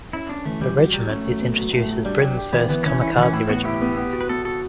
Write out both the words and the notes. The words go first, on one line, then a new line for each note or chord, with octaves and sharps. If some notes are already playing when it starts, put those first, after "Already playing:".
The regiment is introduced as Britain's first "Kamikaze Regiment".
C#4 E4
C#4 D4
E3 A3
E3 G3
G3 F#4
F#3 G3
A3 C#4
F#3
B3
F#3
A2 A3
F#3
G3 D4
F#3 G4
G4
E3 B3
E3 B3
E3 C#4
C#4 E4
D4
E3
C#4
A2 E4
B3 F#4
E4 G4
B3
B3
F#4
B4
B3 A4
F#4 A4